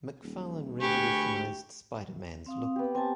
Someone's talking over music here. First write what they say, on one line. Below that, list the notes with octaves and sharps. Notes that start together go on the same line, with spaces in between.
McFarlane revolutionized Spider-Man's look.
D#1
D2 G4 G#4 B4 C#6
C4 F5 D#6
B3 G4
B3 C4 G4 G#5 A5